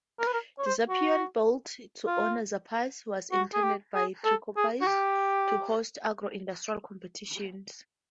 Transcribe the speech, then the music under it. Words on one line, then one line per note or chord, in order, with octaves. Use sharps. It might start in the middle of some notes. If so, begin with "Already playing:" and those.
The Zappeion, built to honor Zappas, was intended, by Trikoupis, to host agro-industrial competitions.
A#4
B4
A#4
C#5
C5
F#4
F4
F#4
G#4
G4
G#4
A4
G#4
F#4
G4